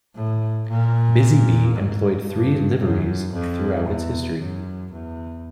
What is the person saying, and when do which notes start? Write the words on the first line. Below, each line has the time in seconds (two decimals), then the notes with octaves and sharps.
Busy Bee employed three liveries throughout its history.
0.15 A2
0.68 A#2
1.75 G#2
2.28 G2
2.80 F#2
3.33 F2
3.87 E2
4.39 F#2
4.92 E2